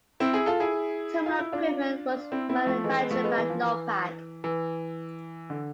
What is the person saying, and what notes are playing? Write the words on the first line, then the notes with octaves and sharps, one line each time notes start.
Terminal equipment was manufactured by Norpak.
C4 E4
E4 G#4
F4 A4
E4 G#4
F4
E4
D4 F4
C4 E4
C4 E4
F3 A3
E3 G#3
G#3 B3
F3 A3
G#3 B3
E3
F3
E3
E3
D3